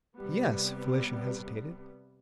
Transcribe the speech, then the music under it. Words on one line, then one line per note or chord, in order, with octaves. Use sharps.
"Yes." Felicia hesitated.
C3 G3 B3